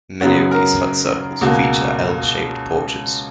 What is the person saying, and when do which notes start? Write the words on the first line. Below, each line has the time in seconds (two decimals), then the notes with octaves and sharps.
Many of these hut circles feature L-shaped porches.
0.21 F#2 C#3 F#3 B3 F#4
0.51 A#4
1.41 C#2 B2 A#3 F#4